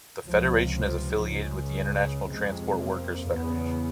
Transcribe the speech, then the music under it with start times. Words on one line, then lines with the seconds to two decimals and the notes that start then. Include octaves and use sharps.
The federation is affiliated with the International Transport Workers Federation.
0.25 C#2 C3 F3
0.76 F3
1.27 C#2 C#3
2.29 F2 C3 G#3
2.80 A#3
3.30 E2 C#3 B3